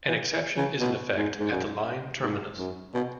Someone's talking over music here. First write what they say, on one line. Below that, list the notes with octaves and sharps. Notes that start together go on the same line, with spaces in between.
An exception is in effect at the line terminus.
E3
E3
C#3
B2
G#2
G#2
F#2
G#2
F#2
B2